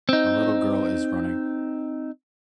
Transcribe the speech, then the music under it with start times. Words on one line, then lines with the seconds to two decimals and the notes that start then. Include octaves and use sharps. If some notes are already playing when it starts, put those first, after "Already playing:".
A little girl is running.
0.09 C4 D#4